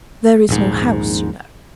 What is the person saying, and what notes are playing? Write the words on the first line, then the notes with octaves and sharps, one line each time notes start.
"There is no house, you know."
D#1 A#1 G#2